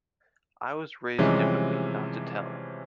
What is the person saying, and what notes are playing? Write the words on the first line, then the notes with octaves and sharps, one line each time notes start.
I was raised differently, not to tell...
C3 E3 F3 G3 G#3 C#4